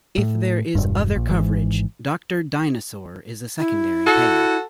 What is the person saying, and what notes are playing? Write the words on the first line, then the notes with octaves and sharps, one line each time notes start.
If there is other coverage, Doctor Dynasaur is a secondary payer.
A2
E1 G2
A#1
G#1 G#2 E3
E4
F#4 A4